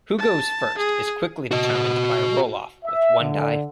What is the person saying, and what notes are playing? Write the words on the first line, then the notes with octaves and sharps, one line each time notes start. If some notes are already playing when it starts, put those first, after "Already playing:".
Who goes first is quickly determined by a roll-off with one die.
A5
G#4
F#4 D#5
E5
D3